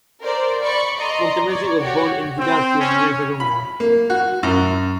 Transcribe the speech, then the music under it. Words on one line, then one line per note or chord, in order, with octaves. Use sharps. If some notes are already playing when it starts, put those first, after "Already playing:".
Montemezzi was born in Vigasio, near Verona.
A#4 C5 D5
D5 B5 C#6
D5 D#5 A#5 C6
C#5 D5
F#4 G4 C#5
C4
C#4
B5
A#3
F#4
F#2